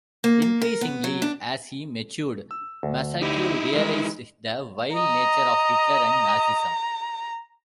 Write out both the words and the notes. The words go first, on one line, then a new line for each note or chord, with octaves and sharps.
Increasingly as he matured, Massaquoi realized the vile nature of Hitler and Nazism.
A#3
A#3
A#4
B3
F#3
D4
E6
D2
D#4 E4 G4
E3 G3 G#3 A#4 E5
D#5 A#5